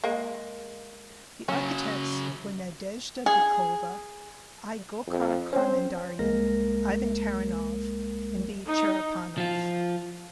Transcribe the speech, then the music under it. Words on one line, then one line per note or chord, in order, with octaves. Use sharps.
The architects were Nadezhda Bykova, I. Gokhar-Kharmandaryan, Ivan Taranov, and B. Cherepanov.
G#3 A#3
C#3 F#3 C#4
G#4
F2
C4 C#4 C5
C2 G#3 A#3 A#4 A#6
D#4
F3 F4